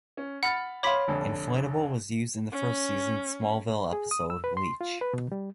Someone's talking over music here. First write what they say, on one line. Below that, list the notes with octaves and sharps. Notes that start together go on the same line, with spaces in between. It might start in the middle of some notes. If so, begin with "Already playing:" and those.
"Inflatable" was used in the first season "Smallville" episode "Leech".
C#4
F#5 B5 F6 A6
C#5 F5 B5 C6 D6 B6
F1 A#1 D3
C#4
G#4
D#6
E6
B4
C6
F4
B4
B2
G3